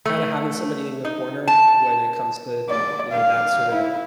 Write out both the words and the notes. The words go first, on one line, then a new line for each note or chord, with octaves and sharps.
Kinda having somebody in your corner when it comes to, you know, that sorta
A3
D#4
A5
D5
F5
E4